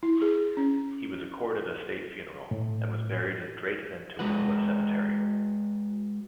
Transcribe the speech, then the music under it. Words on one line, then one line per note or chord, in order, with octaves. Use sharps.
He was accorded a State funeral, and was buried in Drayton and Toowoomba Cemetery.
E4
G#4
C#4
A2
G#3 F#4 B4 F#5